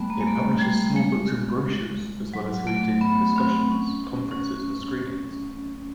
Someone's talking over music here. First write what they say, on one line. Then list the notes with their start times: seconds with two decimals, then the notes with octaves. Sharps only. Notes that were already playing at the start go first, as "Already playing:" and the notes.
It publishes small books and brochures, as well as hosting discussions, conferences, and screenings.
Already playing: G3 A3 B3
0.10 A#3
0.21 G#3
0.27 A3
0.61 G3
0.96 G#3
2.34 F#3
2.67 A3
3.01 B3
3.36 C4
3.71 C#4
4.04 C#4
4.31 C#4